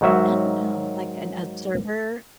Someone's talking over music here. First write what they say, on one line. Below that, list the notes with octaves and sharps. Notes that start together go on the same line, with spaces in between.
I don't know, like an observer?
G#2 D#3 F#3 F#4 E5